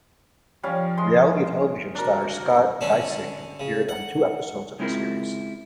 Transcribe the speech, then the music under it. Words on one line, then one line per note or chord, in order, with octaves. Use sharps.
Reality television star Scott Disick appeared on two episodes of the series.
F3 G3 C#4 F5
G#3 C6
D4 F#4 A#4
D3 C#4 D4
C#3
F#5
C#3 G#3 C4 E4 F4 A#4